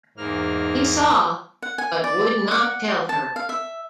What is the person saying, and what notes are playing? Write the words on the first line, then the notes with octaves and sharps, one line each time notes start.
He saw, but would not tell her.
E2 G#2 A#3 F6
F#5
G#5
D5
F#5
A5
F5
E5